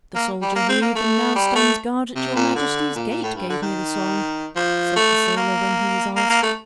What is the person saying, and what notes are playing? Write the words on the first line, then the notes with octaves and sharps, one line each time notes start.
"The soldier who even now stands guard at your majesty's gate gave me the song," said the sailor when he was asked.
A#3
G3
A#3
C4
A#3
A3
G3
A3
C3
A#2
D3
A#2
A#2
A2
G2
D3
D#3
F3
A3
A#3
A#3
A#3
A3